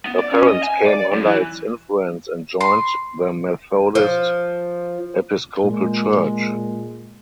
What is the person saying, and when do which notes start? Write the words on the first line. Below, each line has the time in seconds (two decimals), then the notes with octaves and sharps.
Her parents came under its influence and joined the Methodist Episcopal Church.
0.06 B3
0.20 D5
0.33 C#4
0.49 D#5
0.64 G#5
0.87 D5
1.13 F#2
1.25 E3
2.61 C6
3.95 F3
5.64 A#2 G#3